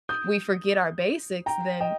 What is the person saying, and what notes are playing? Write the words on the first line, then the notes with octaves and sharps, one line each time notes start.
we forget our basics, then
D#6 G6
G5 A#5
D#5 G5